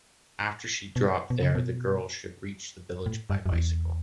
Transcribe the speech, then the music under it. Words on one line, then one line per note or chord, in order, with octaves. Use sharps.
After she drop there, the girl should reach the village by bicycle.
B2
B2
C#3
B2
A2
G2
F#2
E2